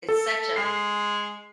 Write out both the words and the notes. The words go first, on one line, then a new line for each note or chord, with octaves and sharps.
It's such a
A4
G#3 C7